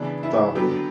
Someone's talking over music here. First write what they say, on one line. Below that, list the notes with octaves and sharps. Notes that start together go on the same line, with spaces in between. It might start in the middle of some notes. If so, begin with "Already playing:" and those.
stop it.
Already playing: C#3 E3 B3 D4
E4
D3 F#3 B3 G4